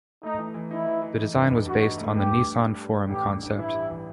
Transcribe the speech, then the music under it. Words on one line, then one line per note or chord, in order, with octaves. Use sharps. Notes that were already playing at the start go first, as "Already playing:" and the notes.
The design was based on the Nissan Forum concept.
A3 D#4
E3
E3
D#4 E4
E3
E3
D#4
G2
G2
G2 F#4
D#4
A3
G2 G4
G2
G3
G3
G3
G3
A1 G4
G2
A1
E3 E4
G3
E3